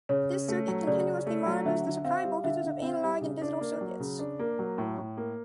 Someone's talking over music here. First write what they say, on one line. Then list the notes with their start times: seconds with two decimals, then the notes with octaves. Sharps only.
This circuit continuously monitors the supply voltages of analog and digital circuits.
0.09 C#3 C#5
0.29 C#4
0.48 A3
0.68 F#3
0.87 C#3 D5
1.06 C#4
1.27 A3
1.46 F#3
1.65 D3 E5
1.86 D3
2.04 C4 F5
2.24 G3
2.44 D3 E5
2.64 D3
2.82 C4
3.03 G3
3.21 C#3
3.41 D4
3.61 A#3
3.81 F#3
4.00 C#3
4.19 D4
4.39 A#3
4.59 F#3
4.78 A2
4.98 A2
5.17 A#3